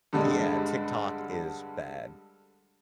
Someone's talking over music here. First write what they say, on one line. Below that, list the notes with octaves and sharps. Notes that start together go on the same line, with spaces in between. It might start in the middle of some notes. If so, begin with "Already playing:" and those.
Yeah, TikTok is bad.
G2 D3 G3 G#3